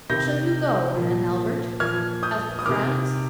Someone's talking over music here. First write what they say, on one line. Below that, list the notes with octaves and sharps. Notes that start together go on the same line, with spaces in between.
"Shall you go, then, Albert?" asked Franz.
C3 D#3 G6 A#6
A#2 F3
A#2 F3 F6 G#6
D#6 G6
D#6
C3 D#3 D6 F6